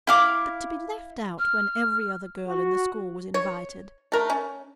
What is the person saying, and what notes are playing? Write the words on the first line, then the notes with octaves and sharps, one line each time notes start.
But to be left out when every other girl in the school was invited!
E4 F5 D6
F6
F#4
C#5
A3 A#4
C#4